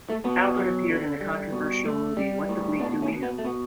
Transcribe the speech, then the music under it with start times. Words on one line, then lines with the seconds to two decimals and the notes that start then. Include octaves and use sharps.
Albert appeared in the controversial movie What the Bleep Do We Know!?
0.10 A3
0.25 B2 B3
0.57 F#3
0.89 D3
1.21 G3
1.52 B2
1.85 A3
2.17 G3
2.49 A2
2.80 B2 B3 D4
3.02 A3 C#4
3.13 B2
3.23 B3
3.38 A3
3.45 B2 B3